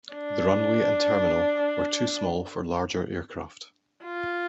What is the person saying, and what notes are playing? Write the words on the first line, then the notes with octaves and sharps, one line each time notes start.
The runway and terminal were too small for larger aircraft.
D4
F4